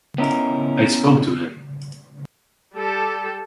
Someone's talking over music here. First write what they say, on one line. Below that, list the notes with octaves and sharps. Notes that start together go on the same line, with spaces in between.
I spoke to him.
B3 C#4 D#4 E4 A#4
G3 G4 A4